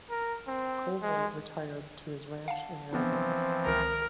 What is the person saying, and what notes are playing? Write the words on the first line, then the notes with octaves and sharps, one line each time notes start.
Collver retired to his ranch in Arizona.
A#4
C4
G#3
F5 F#5 A5
E3 F3 B3 C4 D4
C#2 D#3 A#4